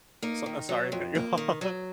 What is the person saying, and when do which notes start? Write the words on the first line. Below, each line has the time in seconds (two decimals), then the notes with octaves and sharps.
So, uh, sorry, cut you off.
0.22 A#3 D#4
0.46 D#3
0.69 F#3
0.92 F2
1.15 A#3
1.38 D#3
1.61 F#3